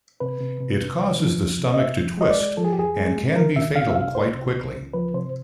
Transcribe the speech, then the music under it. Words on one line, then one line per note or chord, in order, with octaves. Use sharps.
It causes the stomach to twist and can be fatal quite quickly.
C3 B4
C3
C3
C3
C#2
F3
C#2
C3
D#5
C3 E5
F3
G#3 D#5
D5
G#3
F3 A4
G#4
G4
E2 G#4
G#3
G#3
D#3 A#4
C#2 E5
C3 F5
E5
C#2 F5
C#2 C5
C3
C#2
C#2
F3 B4
C3 C5